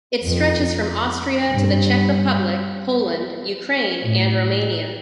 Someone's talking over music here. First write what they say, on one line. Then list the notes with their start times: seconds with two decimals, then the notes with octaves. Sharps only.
It stretches from Austria to the Czech Republic, Poland, Ukraine, and Romania.
0.24 F2
1.51 G2
4.03 A2